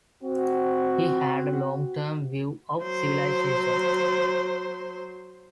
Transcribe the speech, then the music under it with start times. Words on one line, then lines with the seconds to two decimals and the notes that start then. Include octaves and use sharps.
He had a long-term view of civilization.
0.23 C4 F#4
2.82 F#3 C5